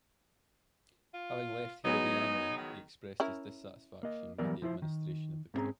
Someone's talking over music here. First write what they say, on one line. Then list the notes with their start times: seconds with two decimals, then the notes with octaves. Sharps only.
Having left Herediano, he expressed his dissatisfaction with the administration of the club.
1.14 F4
1.85 F#3 B3 D#4 G#4
2.57 D#3
3.20 C#4 E4 A#4
4.03 A#3 D#5
4.38 E3 F#3 G3 B3 A#4 D5
4.62 F3 E4 C5
4.82 D#3
5.54 G#2 G#3 C4 C#4 G#4 A#5